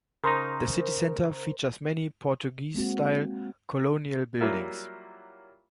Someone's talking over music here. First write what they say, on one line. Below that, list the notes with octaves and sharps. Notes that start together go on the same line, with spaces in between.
The city centre features many Portuguese-style colonial buildings.
C#3 D#4 A#4 C5 A#5
G#3 A#3 C4 F#4
F#3 G3 A#3 E4 F4